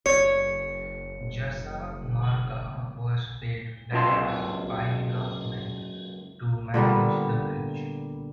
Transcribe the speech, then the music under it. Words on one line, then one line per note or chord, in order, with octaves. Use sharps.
Jasa Marga was paid directly by the government to manage the bridge.
F#1 C#5 C#7
C#2 F#2 F4 A5 C6
A#2 D3 G3 B3